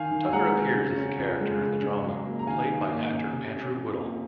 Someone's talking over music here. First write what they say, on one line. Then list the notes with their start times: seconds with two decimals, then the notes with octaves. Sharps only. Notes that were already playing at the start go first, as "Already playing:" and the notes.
Tucker appears as a character in the drama, played by actor Andrew Woodall.
Already playing: D#3 F5 G#5
0.11 D#3
0.28 G#5
0.32 G#3 F#5 A#5
0.54 C4
0.76 C#3
0.97 C#4
1.18 F3
1.40 G#3
1.61 C#3
1.82 C#4
2.04 F#3
2.25 A#3
2.39 A#5
2.47 D#3 F5 G#5
2.69 D#3
2.90 A#3
3.12 C#4
3.33 C3
3.54 C#4
3.76 F3
3.97 A#3